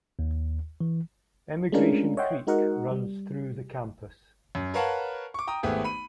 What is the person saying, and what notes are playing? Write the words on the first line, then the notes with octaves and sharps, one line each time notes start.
Emigration Creek runs through the campus.
D#2
E3
G#3 A3 C#4 D4 F4 A#4
C#5 D#5 E5 F#5 G5 C6
G#3 D#4 F#4 A#4 D#5 F#5
G3
F#2
A#4 B4 C#5 F5 F#5 A5
C#6 D6
G5 A#5 D#6
G#1 A3 B3 G4 G#4
B5 D#7